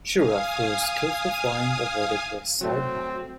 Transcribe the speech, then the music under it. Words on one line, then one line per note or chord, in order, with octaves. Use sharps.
Schirra, through skillful flying, avoided the Sidewinder.
F5 G#5 D#6
F#3 A3 C4 F#4